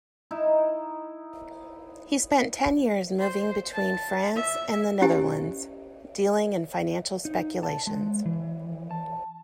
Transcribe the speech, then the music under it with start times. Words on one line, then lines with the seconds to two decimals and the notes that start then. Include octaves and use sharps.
He spent ten years moving between France and the Netherlands, dealing in financial speculations.
0.31 D#4 E4
3.18 C5
3.73 A5
4.35 E5
5.02 C#4 E4 G4 G#5
7.25 D#4
7.63 A5
7.87 G#3
8.26 E3
8.91 A5